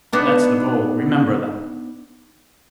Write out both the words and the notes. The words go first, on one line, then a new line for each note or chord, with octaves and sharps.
That's the goal, remember that!
B3 D4 D#4